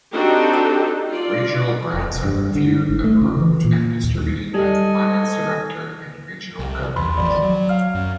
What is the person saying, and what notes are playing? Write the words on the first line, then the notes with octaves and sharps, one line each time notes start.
Regional grants are reviewed, approved, and distributed by the Finance Director and Regional Governors.
C4 D4 D#4 F#4 G4 A4
F4 D5
F1
G2
D3
G#1
A3
C#3
E3
A#2
D#2
G3 A4 D#5 G#5
C2
E2 B5 C6
G#1 D#3 F3 D5
F#3
F5 F6
F#2